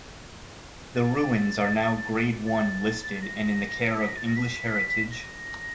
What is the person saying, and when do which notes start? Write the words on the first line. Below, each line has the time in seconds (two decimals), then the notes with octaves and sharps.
The ruins are now Grade One listed and in the care of English Heritage.
0.95 A6
2.47 A6
3.22 A#6
3.98 B6
4.08 A#6
4.17 A6
4.26 A#6
4.36 B6
5.11 A#6